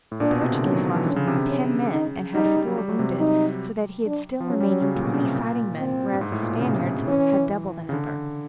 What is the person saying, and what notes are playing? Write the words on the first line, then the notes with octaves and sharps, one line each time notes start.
The Portuguese lost only ten men, and had four wounded; so that he had still remaining twenty fighting men, whereas the Spaniards had double the number.
A2
A#2 D4
B2
C3
D3
D#3 C#4
F#3
F3
E3
D3 C#4
C#3
C3
C#3
C#4
D#4
G3 D#4
G3
G3
F#3
G3
F#3
C3
D#4
D4
F3
F#3 C#4
G3
F#3
C#3
A#2
B2
C#3
C3
A#2
C4
G2
G#2
A2
A#2
B2
C#3
C3
C3
C#3
E3 C#4
C#3
D3